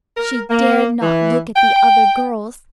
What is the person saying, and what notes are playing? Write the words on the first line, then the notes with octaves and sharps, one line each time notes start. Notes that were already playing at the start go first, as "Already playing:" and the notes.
She dared not look at the other girls.
A#4
A#3
E3
G5